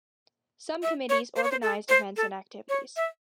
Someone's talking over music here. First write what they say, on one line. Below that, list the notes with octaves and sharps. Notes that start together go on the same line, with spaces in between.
Some committees organized events and activities.
E5
C#5
C5
C#5
C5
A4
C5
A4
C#5
E5